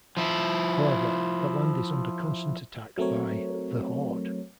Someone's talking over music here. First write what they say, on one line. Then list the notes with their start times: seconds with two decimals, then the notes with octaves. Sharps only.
However, the land is under constant attack by The Horde.
0.17 F3 E4
2.98 F#3 A3 C4 A#4 C#5